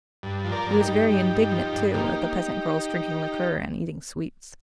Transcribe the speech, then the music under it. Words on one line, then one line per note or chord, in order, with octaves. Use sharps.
He was very indignant, too, at the peasant girls drinking liqueur, and eating sweets.
G2
F3
A#4 D5
G2
D#4 G4
G2
G2
G2
F3
G2
A#3 D#4 G4
A#3